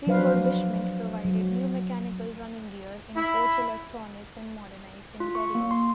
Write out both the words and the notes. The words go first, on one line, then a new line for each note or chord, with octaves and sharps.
Refurbishment provided new mechanical running gear, in coach electronics and modernised interiors.
F3 F#3 D4 B4 C5 F5
F#3
E4
F4
C#6
A#3
C6